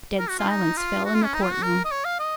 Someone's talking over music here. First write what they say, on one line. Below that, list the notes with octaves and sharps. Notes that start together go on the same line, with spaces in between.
Dead silence fell in the court-room.
A#4
F#4
F4
D#4
F4
F#4
F4
C#4
D#4
F4
F#4
A#4
D#5
C#5
F5
D#5